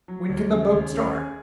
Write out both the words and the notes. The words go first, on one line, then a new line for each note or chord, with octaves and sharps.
"When can the boat start?"
F#3
D#2
C#3
D#2
C#4
G#4